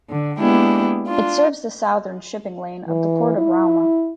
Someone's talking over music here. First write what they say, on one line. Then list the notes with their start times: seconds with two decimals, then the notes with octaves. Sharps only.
It serves the southern shipping lane of the Port of Rauma.
0.10 D3
0.39 G#3 A#3 B3 D4 E4 G4
1.06 D4 F4
2.88 E3
3.38 E4